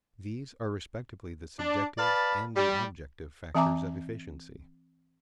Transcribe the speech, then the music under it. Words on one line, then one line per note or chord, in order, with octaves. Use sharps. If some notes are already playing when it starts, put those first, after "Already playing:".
These are respectively the subjective and the objective factors of efficiency.
D4
B4 D5 F5 A5 B5
G3
E3 C4 E5 G#5 A#5 D6